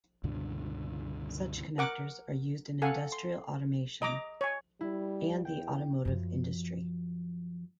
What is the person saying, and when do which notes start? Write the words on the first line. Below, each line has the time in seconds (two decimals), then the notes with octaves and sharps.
Such connectors are used in industrial automation and the automotive industry.
0.24 C#2 G2 B2 D3
1.78 A#4 F#5 D6
2.82 A4 F5 F#5 G#5
3.12 C6
4.02 D#5 A#5 D6
4.41 C#5 G#5
4.81 G3 E4
5.45 E2 G5
6.05 F#2 F3